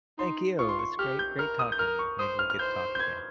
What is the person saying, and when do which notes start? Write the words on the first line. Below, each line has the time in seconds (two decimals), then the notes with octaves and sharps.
Thank you. It was great great talking to you. Maybe we'll get to talk again.
0.18 D#4 C6
0.59 F4 C#6
0.69 C6
0.79 C#6
0.99 G4 F6
1.19 G6
1.39 A#4 F6
1.59 D#6
1.72 G6
1.79 A#4 F6
1.99 C#6
2.19 C5 D#6
2.39 F6
2.50 F6
2.59 C5 G6
2.95 G6
3.00 G#6